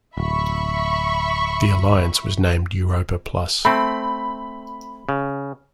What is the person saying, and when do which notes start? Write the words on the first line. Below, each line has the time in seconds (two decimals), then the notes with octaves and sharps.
The alliance was named Europa Plus.
0.17 D1 E5 B5 C#6
3.65 A3 C4 B5
5.09 C#3